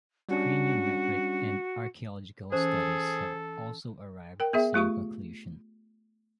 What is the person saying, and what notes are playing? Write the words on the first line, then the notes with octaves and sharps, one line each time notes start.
Craniometric and archaeological studies have also arrived at the same conclusion.
G3 C#4 D4 F#4
E3 C#4 G#4 A4 C5
A#4 G5
B3 G#4 E5
A3 F4 G4 C#6